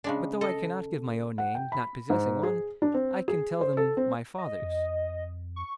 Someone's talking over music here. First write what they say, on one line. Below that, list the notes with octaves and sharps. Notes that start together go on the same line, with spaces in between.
But though I cannot give my own name, not possessing one, I can tell them my father's.
C#3 G#3 D4
A4 D#5
F#5
G5
B5
G#2
G#4
D4
C4
G#4
C5
A4
C4
D#5
F2
C#6